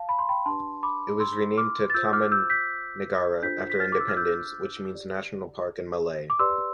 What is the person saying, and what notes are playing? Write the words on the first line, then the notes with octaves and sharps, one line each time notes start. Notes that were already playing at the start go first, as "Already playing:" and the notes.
It was renamed to Taman Negara after independence, which means "national park" in Malay.
Already playing: F5 A5
B5
C6
G5 B5
D4 G4 B4 A5 C6
B5 D6
C6 E6
D6 F6
A6
F4 C5 E6 G6
D6 F6
E6 G6
G6 B6
D4 F4 A4 C5 G6 B6
B6
F6 A6
D6
E6
F6
E6 G6
G4 D5
D6
G4 B4 D5 C6 E6